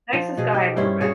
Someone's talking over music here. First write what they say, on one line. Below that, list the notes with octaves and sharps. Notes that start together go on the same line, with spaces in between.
Nicest guy I've ever met.
F3
B2 G#4
D#4 G4
G2 C#4 E4 C5
F#4 G#4 C#5